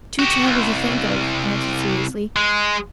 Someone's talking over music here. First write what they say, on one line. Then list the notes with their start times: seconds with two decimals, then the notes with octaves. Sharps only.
"Too terrible to think of," I answered seriously.
0.19 F#4 G4
0.47 C2
2.36 G#3